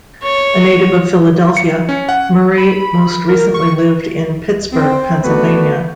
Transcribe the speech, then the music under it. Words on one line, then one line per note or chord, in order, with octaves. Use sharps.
A native of Philadelphia, Murray most recently lived in Pittsburgh, Pennsylvania.
C#5
C#7
C#4
F#5
B5
A#4
C#6
C4
A3 B3 F#4 B4 D5